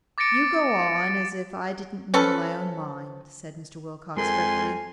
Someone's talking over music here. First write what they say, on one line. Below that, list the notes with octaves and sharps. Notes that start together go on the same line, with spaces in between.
"You go on as if I didn't know my own mind," said Mr. Wilcox fretfully.
D6 A6 A#6 C#7 D7
F3 C#4 A4 B4
F2 G#3 A#4 G#5 C6